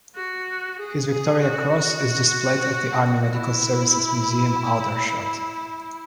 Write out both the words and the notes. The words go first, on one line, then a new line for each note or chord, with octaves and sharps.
His Victoria Cross is displayed at the Army Medical Services Museum, Aldershot.
F#4
G#4
G#4
F#4
E4